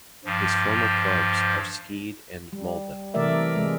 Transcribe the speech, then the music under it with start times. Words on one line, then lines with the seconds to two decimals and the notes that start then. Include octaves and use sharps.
His former clubs are Skeid and Molde.
0.25 G2 F3
2.53 G3
3.14 C3 E3 A3 A#4 D5 E5
3.56 C3 G#3